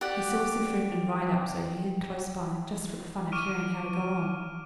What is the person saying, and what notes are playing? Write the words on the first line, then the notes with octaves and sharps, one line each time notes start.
He saw Sir Ferdinand ride up, so he hid close by, just for the fun of hearing how he got on.
G4 D5 F#5
C#6 D6 F6 D7 D#7